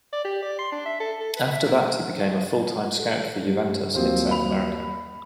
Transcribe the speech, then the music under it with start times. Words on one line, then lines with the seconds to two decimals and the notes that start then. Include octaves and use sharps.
After that he became a full-time scout for Juventus in South America.
0.13 D5
0.25 G4
0.42 D5
0.59 C6
0.72 D4
0.86 E5
1.00 A4
1.20 A4
1.36 B4
1.52 E5
1.66 A#3
2.98 A4
3.43 G2 G3
3.95 D#2 F3 F#3 A#3 C4
4.31 B5 F7